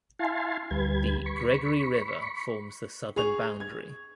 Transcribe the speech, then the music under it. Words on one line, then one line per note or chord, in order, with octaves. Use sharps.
The "Gregory River" forms the southern boundary.
E4 F5 G#5 A5 C6
D2 G3 B4 G#6
B5 C#6
G#4 C#6 F7
G#6